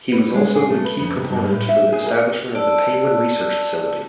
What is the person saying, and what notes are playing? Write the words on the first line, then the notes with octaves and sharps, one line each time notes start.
He was also the key proponent for the establishment of the penguin research facility.
B4
G#3
G#4
A3
B4
F2
C3
G2
A2
E5
G#4
A#4
D5 A5 E6